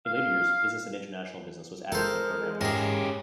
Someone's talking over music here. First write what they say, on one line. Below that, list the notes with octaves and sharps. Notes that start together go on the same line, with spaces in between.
In later years, Business and International Business was added to the program line-up.
F5
G#3 A4 A#4 C5
G#2 C#4 G4 G#4 A#4